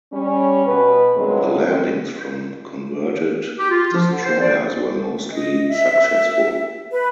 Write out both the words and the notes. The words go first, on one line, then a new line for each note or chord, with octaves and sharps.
The landings from converted destroyers were mostly successful.
G3 C#4
B2 B4
G2 D#3 F#3 G#3 B3 C4
G4
F4
F3
D3
C5
D5
D#5
E5
B4